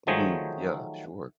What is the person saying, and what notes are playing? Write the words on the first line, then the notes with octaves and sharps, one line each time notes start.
Mm, yeah, sure.
D#3 F3 F#3 A3 G#4 C5